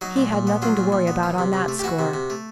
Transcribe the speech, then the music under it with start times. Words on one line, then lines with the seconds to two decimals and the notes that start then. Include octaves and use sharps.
He had nothing to worry about on that score.
0.01 F#3 D#4
0.16 A#2
0.32 A#2
0.47 B3
0.62 F#3 F4
0.77 A#2
0.92 A#2
1.07 B3
1.23 E3
1.38 C3
1.53 C3
1.68 A3
1.79 G4
1.84 E3 F#4
1.99 C3
2.14 C3
2.30 A3